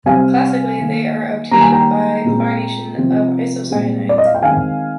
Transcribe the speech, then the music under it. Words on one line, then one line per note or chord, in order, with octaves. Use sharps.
Classically they are obtained by chlorination of isocyanides.
C3 G3 C4 F5 G#5
D#3 A#3
D#3 G3 A#3 A#5
G#5
G5 A#5
A#2 G#3 C4
C3 F3 C4
A#2 G#3 C4
D5
D#5
F5
G5
D#3 G#3 C4 F5 G#5